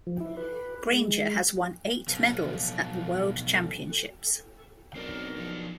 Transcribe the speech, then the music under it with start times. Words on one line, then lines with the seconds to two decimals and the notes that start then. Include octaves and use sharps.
Grainger has won eight medals at the World Championships.
0.07 F3
0.20 E4
0.37 B4
0.93 G#3
2.08 B1 F3
4.96 B1 C4 D4 A#4
5.36 F3 D4